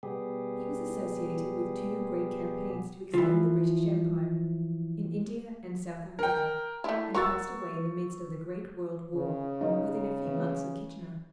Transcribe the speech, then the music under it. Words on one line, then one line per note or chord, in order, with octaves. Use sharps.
He was associated with two great campaigns to extend the British Empire--in India and South Africa--and passed away in the midst of the great World War, within a few months of Kitchener.
B2 G3 B3 G4 G#4
E3 F3
A#4 G5
A3 E4
F#4 A#4 C#6 E6 A6
C#3
F#3 D#4
E3